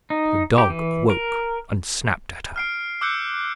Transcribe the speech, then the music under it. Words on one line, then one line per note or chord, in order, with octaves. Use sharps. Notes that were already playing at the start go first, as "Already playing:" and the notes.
The dog awoke, and snapped at her.
D#4
G4
E3
A#4
F6 C7 D7
D6 E6 F#6 G6 C#7